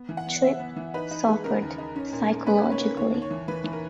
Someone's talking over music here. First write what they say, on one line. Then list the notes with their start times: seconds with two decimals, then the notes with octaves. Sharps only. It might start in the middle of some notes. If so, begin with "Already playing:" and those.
Tripp suffered psychologically.
Already playing: B3
0.09 E3
0.17 F#5
0.26 B3
0.43 B3 E5
0.59 B3
0.76 E3
0.94 D#4 B4
1.11 D#4
1.28 G#3
1.44 C#3 A#4
1.62 D#2
1.78 D#4
1.96 C#4
2.12 A#2
2.29 A#3
2.46 C#4 B4
2.63 C#4
2.71 C#5
2.80 A#3
2.97 D#2 C#5
3.14 D#2
3.22 C#5
3.31 E3
3.48 E3 B4
3.64 E3
3.73 A#4